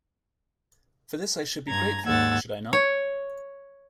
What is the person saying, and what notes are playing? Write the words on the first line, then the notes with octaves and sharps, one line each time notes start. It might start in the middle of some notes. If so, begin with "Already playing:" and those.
For this I should be grateful, should I not?
G2 A#5 G#6
D#2 G#2 F#5 E6 G#6 A6
C#5